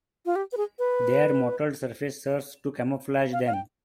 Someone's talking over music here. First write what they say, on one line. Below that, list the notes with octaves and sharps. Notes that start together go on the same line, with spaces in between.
Their mottled surface serves to camouflage them.
F4
G4
B4
G#4
B4
F5
F5
G5